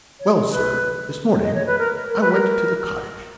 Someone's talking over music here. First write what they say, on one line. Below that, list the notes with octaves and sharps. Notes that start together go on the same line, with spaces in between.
Well, sir, this morning I went to the cottage.
C#5
B4
D#5
C#5
B4
A#4
A#4
B4
A#4